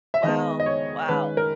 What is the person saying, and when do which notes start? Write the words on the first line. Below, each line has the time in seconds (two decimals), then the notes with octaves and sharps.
Wow! Wow!
0.14 E5
0.23 D#3 G#3 B3 D#5
0.60 D#5
0.66 C#5
1.09 D#3 G#3 C#4 B4
1.37 A#4